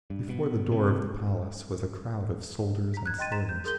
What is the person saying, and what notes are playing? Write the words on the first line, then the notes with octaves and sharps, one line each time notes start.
Before the door of the Palace was a crowd of soldiers and sailors.
G2
B2
C3
A#5 B6
F#6 G#6
D#5 G5 C6 A6 D#7
A#5 C6 A6 B6 E7
G6
G#4 A#4 C6 G6 G7